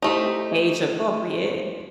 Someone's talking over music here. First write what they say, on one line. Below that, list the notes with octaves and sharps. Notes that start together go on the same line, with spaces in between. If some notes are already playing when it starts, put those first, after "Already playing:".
age appropriate."
A3 D#4 E4 G4 C5